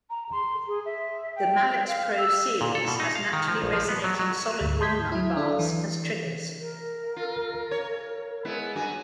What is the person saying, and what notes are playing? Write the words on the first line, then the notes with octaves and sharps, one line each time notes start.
The Mallet Pro series has naturally resonating solid walnut bars as triggers.
A#5
C6
G#4
E5
G5
F5
E6
A#2
A4
B2
D#4
F5
D#3
F3
A#1
F3
B3
F#3
F#3
D2 G#2
A5 C6 D#6 G6 G#6 B6
F#3 E4
D4 A4 F5
E3
A#4
F4
C#5
G#3 B3 E4
G2 F#4 G#5